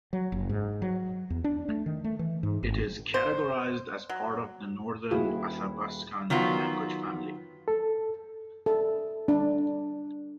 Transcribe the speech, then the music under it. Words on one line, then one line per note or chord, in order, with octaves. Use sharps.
It is categorized as part of the Northern Athabaskan language family.
F#3
F#1
G#2
F#3
E2
D4
A3
D#3
A3
E3
G#2
G#1
C5
F#3
D#1 E4 F#4 G#4 F5
D#3 F#3 B3 F4
A4
A4
D4